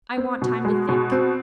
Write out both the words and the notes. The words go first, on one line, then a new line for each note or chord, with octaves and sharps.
"I want time to think."
C4
B2
G#3
B2
C4